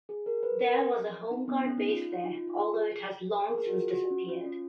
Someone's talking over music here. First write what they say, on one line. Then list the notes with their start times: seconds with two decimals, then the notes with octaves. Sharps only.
There was a Home Guard base there, although it has long since disappeared.
0.09 G#4
0.26 A#4
0.43 B4
0.60 A#4
1.31 D#4
1.48 B3
1.66 C#4
1.78 D#4
1.89 F4
2.12 F4
2.24 D#4
2.35 F4
2.47 F4
2.59 G#4
3.40 G#4
3.49 A#4
3.58 G#4
3.67 F#4
3.75 F4
3.93 F#4
4.10 C#4
4.29 F4
4.45 C#4